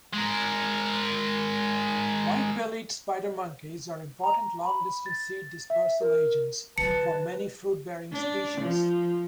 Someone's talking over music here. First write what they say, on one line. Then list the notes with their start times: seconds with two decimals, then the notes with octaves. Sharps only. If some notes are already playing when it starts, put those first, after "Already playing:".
White-bellied spider monkeys are important long-distance seed dispersal agents for many fruit-bearing species.
0.14 G#3 A#4
4.24 A#5
4.65 B5
5.06 A6
5.70 E5
6.01 A#4
6.78 D3 F#3 B4 A5 C#7
8.12 D4
8.62 F3